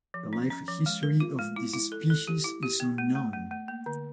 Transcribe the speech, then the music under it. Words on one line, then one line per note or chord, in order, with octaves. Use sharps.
The life history of this species is unknown.
F3
C#4
C#4
F3
G#3
A#4
F4
G#3
E4
E4
A4
A4
G4
E4
G4
B3
A3
A3
A3
A3
A#3
D3